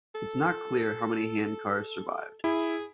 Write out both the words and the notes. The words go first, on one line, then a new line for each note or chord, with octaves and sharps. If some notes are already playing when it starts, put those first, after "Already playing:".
It is not clear how many handcars survived.
A4
E4 G#4